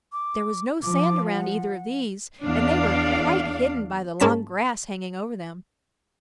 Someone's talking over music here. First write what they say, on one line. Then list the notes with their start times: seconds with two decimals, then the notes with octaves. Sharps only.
There was no sand around either of these, and they were quite hidden by the long grass hanging over them.
0.12 D6
0.83 F3 D6
1.32 F#5
2.44 E2 D4 D5 F5
4.20 G#2 A#3 C#4 A5 B6